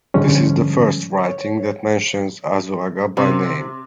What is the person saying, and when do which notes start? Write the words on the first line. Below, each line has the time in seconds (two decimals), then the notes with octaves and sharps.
This is the first writing that mentions Azuaga by name.
0.14 G#2 D3 F3 G3 G#3 C#4
1.18 C#5
3.17 C3